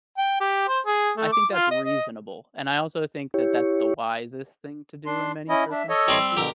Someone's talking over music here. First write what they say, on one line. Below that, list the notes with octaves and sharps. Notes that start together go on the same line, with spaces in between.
I think that's reasonable. And I also think that that's the wisest thing to do in many circumstances.
G5
G4
C5
G#4
A3
D6
F4
D#5
D#5
E4 G4 C#5
D4 C6
C#4 E4 D#5 B5
D4 E5
A4 C#5 D#5 E6
G3 C4 C6
B2 D3 G4 A#4 A#5